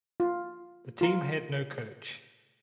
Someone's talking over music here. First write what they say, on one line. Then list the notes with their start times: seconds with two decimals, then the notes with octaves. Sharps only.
The team had no coach.
0.20 F4
1.01 F4 A#5